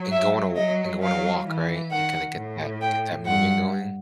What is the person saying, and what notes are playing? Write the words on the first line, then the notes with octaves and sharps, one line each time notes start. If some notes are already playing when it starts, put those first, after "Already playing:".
And going to w and going to walk, right? And kinda get that get that moving going?
Already playing: F#3
E5
F#3 D#5
F#3 F5
E3
D#3 F#5
A2
G5
G2 F#5